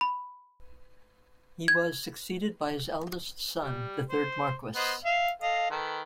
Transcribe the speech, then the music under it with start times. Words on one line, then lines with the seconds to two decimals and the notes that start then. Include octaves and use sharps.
He was succeeded by his eldest son, the third Marquess.
0.01 B5
1.68 G#6
3.61 G3
4.10 C5
4.76 B3 C5 D#5
5.05 E5 F5
5.42 A4 D#5 F5
5.71 D#3 A4 B4